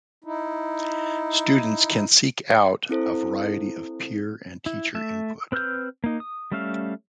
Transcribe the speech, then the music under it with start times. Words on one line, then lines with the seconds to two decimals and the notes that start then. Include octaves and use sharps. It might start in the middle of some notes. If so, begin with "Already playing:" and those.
Students can seek out a variety of peer and teacher input.
0.24 D#4 E4
2.89 C4 E4 A4 C5
4.66 E4
4.95 A3 E5
5.52 C4 B4 E6 F6 G6
6.04 A#3 D#4
6.20 D#6
6.52 G3 A3 C#4 E5 F5